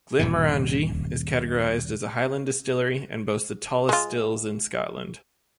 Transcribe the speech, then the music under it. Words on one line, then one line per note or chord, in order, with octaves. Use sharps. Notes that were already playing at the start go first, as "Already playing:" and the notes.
Glenmorangie is categorised as a Highland distillery and boasts the tallest stills in Scotland.
D#1 G2 B2
G#3 F4